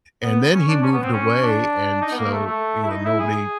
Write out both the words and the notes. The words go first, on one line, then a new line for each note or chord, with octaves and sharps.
and then he moved away, and so, you know, nobody
B3
C#4
D4
C#4
B3
C4
C#4
D4
D#4
B3
A#3
A3
A3
E4
D#4
E4
G#4